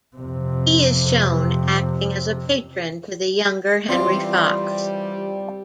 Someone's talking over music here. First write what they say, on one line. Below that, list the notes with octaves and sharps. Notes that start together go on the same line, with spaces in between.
He is shown acting as a patron to the younger Henry Fox.
F2 C3
E3 G3 C4 F4 D5 C6